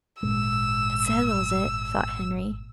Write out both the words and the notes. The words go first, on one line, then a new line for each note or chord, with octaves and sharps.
"That settles it," thought Henry.
G#1 A#2 G#3 E6